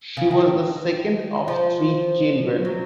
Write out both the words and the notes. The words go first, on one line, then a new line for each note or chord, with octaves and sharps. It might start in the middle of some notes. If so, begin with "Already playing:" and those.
She was the second of three children.
C#3
D#3
F3
F#3